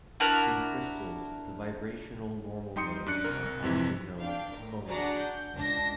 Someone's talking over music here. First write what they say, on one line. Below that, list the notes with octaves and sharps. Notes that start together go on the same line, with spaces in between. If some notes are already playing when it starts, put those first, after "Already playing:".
In crystals, the vibrational normal modes are commonly known as phonons.
D4 E4 F#4 A#4
G3 D#4 G5 C6 D#6 C#7
F#2 D4 F#6 C#7
C2 A#4
C2
F2 C3 E3 E4
D4 F5 G5
A2 A#4
D4 F#4 G#4 D5 F#5 A#5
G6
C#2 D4 A#6